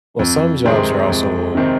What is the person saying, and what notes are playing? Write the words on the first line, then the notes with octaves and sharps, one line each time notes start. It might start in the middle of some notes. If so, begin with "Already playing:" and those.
well, some jobs are also
F2
C3 D#3 G#3 C4
F2
C3 D#3 G#3 C4